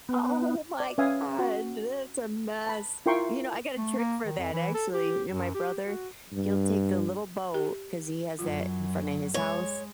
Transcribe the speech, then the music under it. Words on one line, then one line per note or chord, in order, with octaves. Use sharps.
O oh my god, that's a mess. You know, I got a trick for that actually, you know, my brother, he'll take the little boat 'cause he has that in front of his house,
B3
D5
C#4 B4 E5 F5 G#5 D#6
F#4
A5 B5
E4 F4 A#4 G5 C6 C#6
A3
A#3
D#3
F2
E3
A4
G4
F#2
G4
F#4
G2
G4
F#2 F#3 F4
G#3 C#5